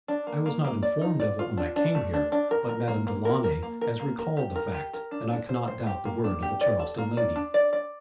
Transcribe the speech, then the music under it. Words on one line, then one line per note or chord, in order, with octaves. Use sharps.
I was not informed of it when I came here, but Madame Delaunay has recalled the fact and I cannot doubt the word of a Charleston lady.
D4
A#3
A#3
A#3
D5
D#4
D5
F4
D4
D4
A3
D4
D4
A#4
A#4
A#3
A#3
A#4
A#4
A#3
A#4
A#3
A#4
G4
A#4
G4
A#4
D4
D4
C5
C5
G4
A#3
D4
G4
D5
A4
A#3
D5
D4
D5
D5